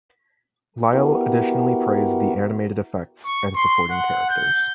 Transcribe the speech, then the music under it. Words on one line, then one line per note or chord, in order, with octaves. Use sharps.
Lyle additionally praised the animated effects and supporting characters.
B3 E4 F#4 G4 A#4
C#6
C6
F#5
G6